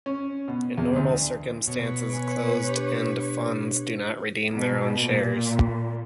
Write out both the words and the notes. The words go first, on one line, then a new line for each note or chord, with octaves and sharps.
In normal circumstances, closed-end funds do not redeem their own shares.
C#4
B2
E2
D2
B2 B4 C#5
B3 G#5
D4 G4
B2
A#2